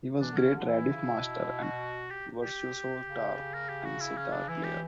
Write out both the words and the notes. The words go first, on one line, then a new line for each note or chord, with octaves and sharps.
He was a great radif master and virtuoso tar and setar player.
E3 D4
D3 C#4
C#3
D3
E3 E4
C#3
B2
F#4
G4
G4
C#3
A#4
G4
F#4
E4
C#4
D4
E3 E4
G4